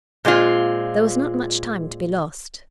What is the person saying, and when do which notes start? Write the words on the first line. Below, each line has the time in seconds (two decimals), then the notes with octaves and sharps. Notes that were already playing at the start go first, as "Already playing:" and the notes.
There was not much time to be lost.
0.25 A#2 G#3 C4 F4